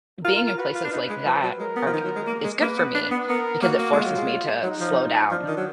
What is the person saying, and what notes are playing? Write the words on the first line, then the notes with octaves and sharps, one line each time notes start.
being in places like that are go is good for me, because it forces me to slow down,
F4 A#4
F4
F4
F#4 B4
F4
D4
D#4 B4
G#3
F3
F#3
G#3 A#4
B3
F3
D#3
F#3
G#3
A#3
G#3
A#3 B4
B3
D4
B3
B3 A#4
A#3 F#4
A#3
G#3 F4
F#3
G#3
F#3 D#4
F3
F3 D4
D#3
F#3